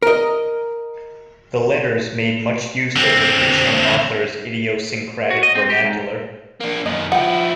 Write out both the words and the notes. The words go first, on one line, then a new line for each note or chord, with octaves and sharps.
The letters made much use of the fictional author's idiosyncratic vernacular.
A#4 D#5
D3 C4
F#4
D#5
C4
G4
G#2
A#3 D4
F#2 D#3 D#5
F3 E4 F#5 G5